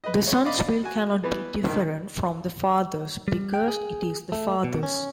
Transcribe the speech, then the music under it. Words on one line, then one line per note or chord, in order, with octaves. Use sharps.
The Son's will cannot be different from the Father's because it is the Father's.
B4 D#5
C#5 C6
D5 D#5 F5 B5 D6
F#4 G#5
E3 B3
G2 D#3
G3
G5
G#4
A3
B2
C#4